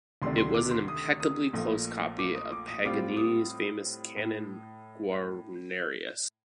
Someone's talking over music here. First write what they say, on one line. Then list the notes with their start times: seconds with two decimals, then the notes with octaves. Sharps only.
It was an impeccably close copy of Paganini's famous Cannone Guarnerius.
0.22 D2 C3 D#3 A3 D4 C6
0.38 C6
0.54 D6
0.71 C6
0.88 D#6
1.20 D#6
1.53 A#1 A#2 A3
2.19 D6
2.35 D#6
2.52 D6
2.68 D#6
2.85 A2 G3 C4 F4 D6
3.17 D#6
4.16 A2